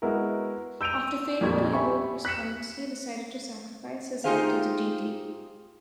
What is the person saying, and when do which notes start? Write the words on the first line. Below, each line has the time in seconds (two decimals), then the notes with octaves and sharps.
After failing to evoke response, he decided to sacrifice his head to the deity.
0.02 G#3 B3 E4 F#4 A#4
0.81 E6 G6 D7 D#7 F7
1.41 F2 A#2 G3 C#6 G#6
1.73 G4 E5 G5 G#5 B5 C#6
2.25 F#6 B6 C#7 E7
4.24 D#4 F4 G4 G#4 C5 F5